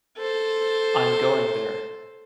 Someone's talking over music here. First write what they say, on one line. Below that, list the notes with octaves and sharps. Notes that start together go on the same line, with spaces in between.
I’m going there.
A4 C5